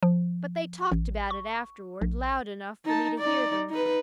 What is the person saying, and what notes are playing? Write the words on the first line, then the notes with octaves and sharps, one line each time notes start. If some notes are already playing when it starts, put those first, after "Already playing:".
But they talked about it afterward, loud enough for me to hear them.
F3
A1
C#6
A#1
D#4 A5
D#4 D5
D#4 B4